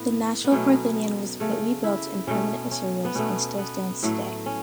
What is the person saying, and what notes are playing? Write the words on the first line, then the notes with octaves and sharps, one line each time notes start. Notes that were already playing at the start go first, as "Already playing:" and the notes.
The Nashville Parthenon was rebuilt in permanent materials, and still stands today.
Already playing: A2 B3
B3
B2 F#3 A3 C#4
C#3 A3
E4
B2 A3 C#4
C#4
B3
B2 A3 C#4
B3
A2 F#3 A3
C#4